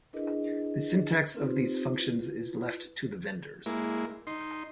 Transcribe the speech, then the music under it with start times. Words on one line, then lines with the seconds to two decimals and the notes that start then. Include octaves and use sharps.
The syntax of these functions is left to the vendors.
0.13 D4 E4 G#4 A#4 B4 D#5
1.36 C4 D#4 F4 G4 B4 C5
1.93 E4 F4 B4
3.66 G#3 A#3 E4
4.27 D#4 C6